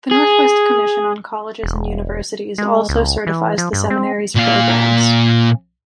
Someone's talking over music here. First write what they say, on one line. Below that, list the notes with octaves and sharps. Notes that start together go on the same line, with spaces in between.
The Northwest Commission on Colleges and Universities also certifies the seminary's programs.
G#4
E1
G#3
C#2
E3
F3
G2
C4
A#2 F5